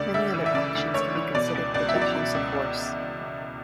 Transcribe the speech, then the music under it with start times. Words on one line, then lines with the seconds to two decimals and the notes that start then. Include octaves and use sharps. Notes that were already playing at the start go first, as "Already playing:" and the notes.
Many other actions can be considered projections of force.
Already playing: D2 C#3 D5
0.14 D2 E5
0.34 E3
0.46 E5
0.54 C#3 D5
0.75 D2
0.94 D2 C#5
1.15 E3
1.34 B2 D5
1.54 C#2
1.74 C#2 D5
1.89 E5
1.95 F#3
2.01 D5
2.15 B2
2.35 C#2
2.55 C#2